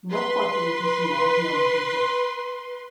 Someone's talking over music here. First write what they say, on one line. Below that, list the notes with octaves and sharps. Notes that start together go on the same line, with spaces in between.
No portrait of Dusina is known to exist.
B4 C6